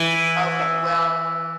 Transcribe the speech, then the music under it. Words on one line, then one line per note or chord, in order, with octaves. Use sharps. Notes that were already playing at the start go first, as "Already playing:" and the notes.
Okay. Well,
Already playing: E3